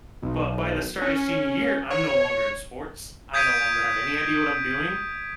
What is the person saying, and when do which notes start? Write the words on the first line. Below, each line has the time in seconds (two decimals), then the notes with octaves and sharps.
But by the start of senior year, I'm no longer in sports. I no longer have any idea what I'm doing,
0.22 B1
1.02 C#4
1.90 C#5
3.33 D#6 G6 G#6 B6 D7 D#7